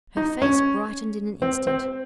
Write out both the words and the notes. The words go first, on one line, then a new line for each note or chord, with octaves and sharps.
Her face brightened in an instant.
D#4
C#4
C4
C4